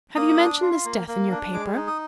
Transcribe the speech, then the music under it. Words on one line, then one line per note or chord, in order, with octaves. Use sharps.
"Have you mentioned this death in your paper?"
A#3 D#6
D4
F4
A#3
A#3
D4
G#3 D6
D#4
D#6